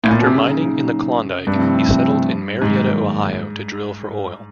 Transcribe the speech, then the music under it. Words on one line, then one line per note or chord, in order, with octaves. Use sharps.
After mining in the Klondike, he settled in Marietta, Ohio to drill for oil.
A2
A#2
B2
C3
A#2 C#3 F#3 A#3 D#4
G2 C3 F3 A3 C4 E4
G#2 D#3 F#3 A#3